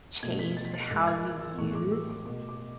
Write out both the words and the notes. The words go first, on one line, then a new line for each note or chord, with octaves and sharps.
changed how you use,
B2 A3 G#6
B6
A6
B6
A6
G#2 G#3 A6
G#6
F#6
E6
A2 E3 A3 C#6
D6
E6
D6
B2 A3 D6
D6